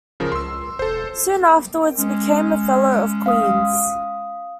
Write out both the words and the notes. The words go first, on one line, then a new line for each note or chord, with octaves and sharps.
Soon afterwards he became a Fellow of Queen's.
D1 C#3 F3 A#4
C#2 C6 E6
E1 A4 C5
G#3 C#4
F5 D#6